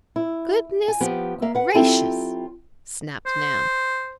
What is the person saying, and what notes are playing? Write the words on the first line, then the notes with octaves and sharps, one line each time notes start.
"Goodness, gracious!" snapped Nan.
E4
G#5
F3 B3 G4
A#3 E5 F5
B4 F#5
F#3 C4 E4 F4 G4 A4
C5